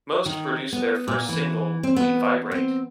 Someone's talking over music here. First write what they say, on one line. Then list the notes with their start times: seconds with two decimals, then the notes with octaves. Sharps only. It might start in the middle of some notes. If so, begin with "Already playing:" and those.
Most produced their first single, "We Vibrate".
0.26 D#3
0.73 B3
1.08 A#2
1.29 E3
1.83 C4
1.96 B3
2.51 C4